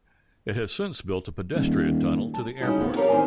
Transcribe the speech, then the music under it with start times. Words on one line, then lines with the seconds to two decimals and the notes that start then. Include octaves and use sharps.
It has since built a pedestrian tunnel to the airport.
1.54 D#1
2.34 A5
2.61 C#3 G3 D#4 E4 F#4 G4
2.80 F2 B3
2.96 G4 A4 A#4 C#5 F5
3.09 E2 D#3 C4 G#5